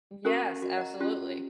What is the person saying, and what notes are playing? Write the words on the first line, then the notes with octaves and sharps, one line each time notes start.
Yes, absolutely.
C#4 F#4 A#4 A#5 C#6
F#4
D#5 F#5 A#5
C#4 F4 G4